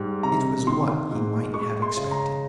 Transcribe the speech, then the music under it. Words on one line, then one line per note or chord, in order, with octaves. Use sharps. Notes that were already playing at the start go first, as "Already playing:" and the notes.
It was what he might have expected.
Already playing: G#2 G3
C3 A#5
D#3 C6
G#2
G#3 C#6
C6
C#3
A#5